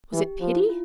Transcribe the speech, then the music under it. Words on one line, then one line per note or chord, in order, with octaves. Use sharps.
Was it pity?
E3 G4
F3 F4
E4
F4